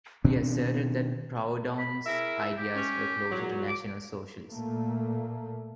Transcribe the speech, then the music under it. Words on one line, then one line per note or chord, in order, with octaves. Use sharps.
He asserted that Proudhon's ideas were closer to National Socialism.
B2 D#3 C4 D4
B5
E4 G#4 A#4 E5
G4
C#4
E2 A#2 F#3
D6
A#2 A3 A#3